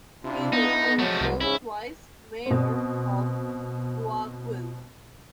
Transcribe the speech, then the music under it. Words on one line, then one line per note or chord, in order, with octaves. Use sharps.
He was also twice mayor of Guayaquil.
C3 D4 E4 F4
B3 D#4
F3 F#3 G#3 A3 F#4
C2
G#2 C#3 C#4 E4
B2 C4